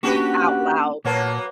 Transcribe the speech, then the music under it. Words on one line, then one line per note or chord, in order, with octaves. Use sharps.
out loud
A#3 C#4 D4 F#4 G4 B4
A#2 F#3 A#3 B3 C#5 A5